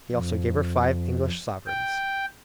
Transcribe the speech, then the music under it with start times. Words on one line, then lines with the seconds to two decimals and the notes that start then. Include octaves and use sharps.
He also gave her five English sovereigns.
0.12 F2
1.66 G5